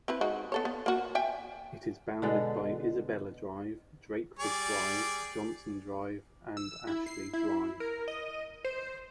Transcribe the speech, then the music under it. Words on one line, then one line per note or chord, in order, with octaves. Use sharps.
It is bounded by Isabella Drive, Drakeford Drive, Johnson Drive and Ashley Drive.
C4 E4 B4
G#3 D#4 F#4
B3 A4 C#5
B3
A#3 F#4
E5 G5 G#5
B2 D3 G#3
G3 G#4 D5
E6
E4
C7
E4
A#4
D#5
C5